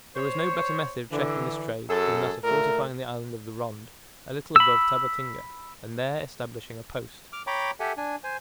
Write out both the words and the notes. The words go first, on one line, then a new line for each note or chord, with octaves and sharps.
There was no better method of checking this trade than that of fortifying the Island of the Ronde, a little above Tabatinga, and there establishing a post.
C5 C#5
D3 E3
F#2 F#4 G#4 A4
A#2 A3 A#4
B5 E6
D6 F6
C#5 G5 A#5 B5 D6
G4 A4 E5 F#5 G#5
D4 G#5
C5 G#5